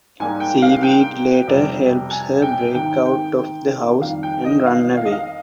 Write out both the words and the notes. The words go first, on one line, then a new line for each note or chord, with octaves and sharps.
Seaweed later helps her break out of the house and run away.
G#2 G3 A#3 G#5
G5
F5
G5
F2 C3 G3
G#5
G5
G#2 D#3 A#3 G5
G5
F2 D#3 G3 A#3 F5
G5
D#5
F5
F5
D#5
F5